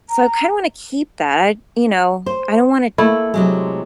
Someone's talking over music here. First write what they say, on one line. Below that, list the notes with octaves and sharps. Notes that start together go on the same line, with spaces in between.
so I kinda wanna keep that, you know? I don't wanna
A#5
C5
A3 A#3 E4
C3 F#3 G#3